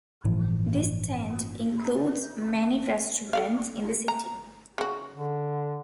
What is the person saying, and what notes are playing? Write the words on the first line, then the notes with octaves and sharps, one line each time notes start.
This tent includes many restaurants in the city.
G1 A2 E3 F3
A4 D5 F5
A#5
C#3 F#4
D3